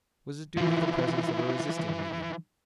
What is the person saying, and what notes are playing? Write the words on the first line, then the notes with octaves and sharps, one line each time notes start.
Was it due to the presence of a resisting medium?
E3 F3